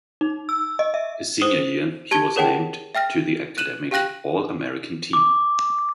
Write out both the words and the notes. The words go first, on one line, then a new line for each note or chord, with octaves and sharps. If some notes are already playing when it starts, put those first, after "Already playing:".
His senior year, he was named to the Academic All-American team.
D#4
E6
D#5
E5
C5 D#6
G4 A5 G#6 G7
G#4 A#4 C#5 F#5 G5 A5
E5 G5 F6 A#6
F#6 D#7 E7 F#7
G4 F5 G5 F#6 A#6 F#7
D6